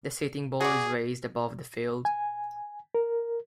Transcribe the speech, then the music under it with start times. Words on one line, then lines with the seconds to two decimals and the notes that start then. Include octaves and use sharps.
The seating bowl is raised above the field.
0.61 F#4 G#4 D5
2.05 G#5
2.95 A#4